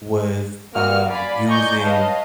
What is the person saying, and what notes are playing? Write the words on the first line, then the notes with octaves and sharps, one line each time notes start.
was, um, using
A#3 F#4 F6
D5 F5 G#5 B5
D5 D#5 G#5 A#5 C#6 G6
B4 C#5 D#5 F5 A5